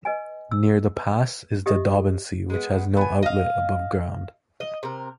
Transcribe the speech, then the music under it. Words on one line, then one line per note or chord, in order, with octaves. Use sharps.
Near the pass is the Daubensee, which has no outlet above ground.
B4 D#5 G#5
E6
B4
G4 D#5 E5 D#6
G#3 B3
B3 G#5
D#5 F5
D#5
C3 A#4